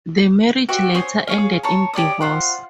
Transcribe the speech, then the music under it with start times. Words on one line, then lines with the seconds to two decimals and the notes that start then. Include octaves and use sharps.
The marriage later ended in divorce.
0.69 F#4 G4 C#5 E5
0.94 C5 C#5 G#5 D#6
1.28 G#4 C#5 F5
1.63 C#5 A5 A#5
1.93 G4 C#5 D5 D#6
2.21 F4 C5 F#5